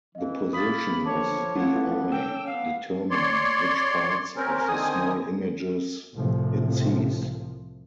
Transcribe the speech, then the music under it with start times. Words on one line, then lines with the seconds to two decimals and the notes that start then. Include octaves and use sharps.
The position of the eye determines which parts of the small images it sees.
0.15 E3 D#5 F5
0.53 A#3 B5 D#6 A6
1.05 D3 F3 A4 C#5 A5 D6
1.55 E3 A3 B3 F4
2.12 C#4 G5 E6
2.46 B3 F5
3.11 C#5 D5 C6
4.37 C4 C#4 A#4
4.68 D3 D#3 C4 G#5 D#6
6.14 C2 A2 C3 F3